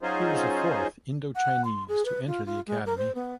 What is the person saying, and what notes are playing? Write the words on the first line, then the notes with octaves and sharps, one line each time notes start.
He was the fourth Indochinese to enter the academy.
F#3 C#4 D#4 F4 G#4 C5
F#5
C6
G#4
B4
F4
F4
G#3
A#4
C5
B3